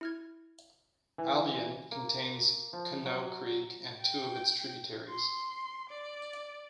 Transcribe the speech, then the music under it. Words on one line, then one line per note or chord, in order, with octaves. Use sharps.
Albion contains Conneaut Creek and two of its tributaries.
E4 F6 G#6
E3
A#3
F3
F#3
G5
C6
D5